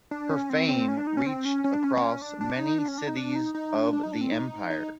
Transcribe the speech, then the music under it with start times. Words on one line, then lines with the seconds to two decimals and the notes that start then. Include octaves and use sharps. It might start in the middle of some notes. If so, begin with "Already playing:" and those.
Her fame reached across many cities of the Empire.
0.11 D4
0.31 C#4
0.50 C4
0.69 C4
0.88 C#4
0.97 D4
1.07 D#4
1.17 C#4
1.27 C4
1.45 C#4
1.64 C#4
1.74 D4
1.84 C#4
1.93 C4
2.02 C#4
2.22 D4
2.41 D4
2.59 D#4
2.78 D4
2.88 C#4
2.98 D4
3.07 D#4
3.17 D4
3.36 D#4
3.54 D#4
3.74 D4
3.93 D4
4.03 D#4
4.12 D4
4.21 C4
4.32 D#4
4.70 D#4